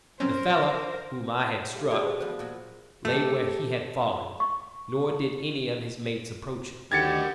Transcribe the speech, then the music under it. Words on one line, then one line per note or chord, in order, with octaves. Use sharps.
The fellow whom I had struck lay where he had fallen, nor did any of his mates approach him.
F#3 C4 C#4 A#4 C5
G3 A3 F4
G#3 F#4 D5 B5
C5
F3 B3 C5
A#2 F#3
A3 G4 A4
C#6
D2 D#3 G4 A#4 F#5 G#6 A6 C#7